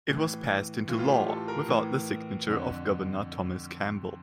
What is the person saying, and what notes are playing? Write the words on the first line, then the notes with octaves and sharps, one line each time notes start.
It was passed into law without the signature of Governor Thomas Campbell.
A2 E3
A2 E3 F4
F4
G4
A4
A#4
A2 E3
F2 D3